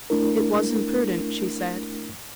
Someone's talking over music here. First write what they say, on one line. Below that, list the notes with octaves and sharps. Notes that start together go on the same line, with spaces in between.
"It was imprudent," she said.
A3 D4 E4 A#4